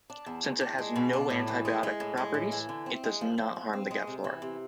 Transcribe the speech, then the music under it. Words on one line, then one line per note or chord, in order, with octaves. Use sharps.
Since it has no antibiotic properties, it does not harm the gut flora.
D4
E2
E2
D4
G#3
B2
D4
A2
E3
G#3
G#3
A2
G#3
A2
E3
D3
C4
G#3
F3
F3
C4
C4
G#3
C3
E3
C3